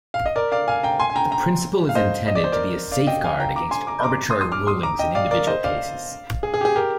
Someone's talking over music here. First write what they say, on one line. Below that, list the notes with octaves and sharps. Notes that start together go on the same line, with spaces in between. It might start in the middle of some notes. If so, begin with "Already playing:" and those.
The principle is intended to be a safeguard against arbitrary rulings in individual cases.
F5
D#5
A#4 D5
D5 F5
F5 G#5
G5 A#5
G#5 C6
G#5
G5 A#5
G5 A#5
F5
C5 D#5
D#5
D5
C5
A#4 D5
D5 F5
D#5 G5
F5 G#5
G5 A#5
A#5 D6
G#5 C6
A#5 D6
A#5 D6
C6 D#6
C6 D#6
D6 F6
C6 D#6
A#5 D6
D#5 G5
D5 F5
A#4 D5
C5 D#5
D5 F5
G#4
G#4
G4
G#4
G4 A#4